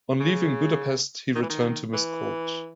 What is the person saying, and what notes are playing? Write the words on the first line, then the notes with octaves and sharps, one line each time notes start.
On leaving Budapest he returned to Miskolc.
C#3
D#3
E3
D#3
E3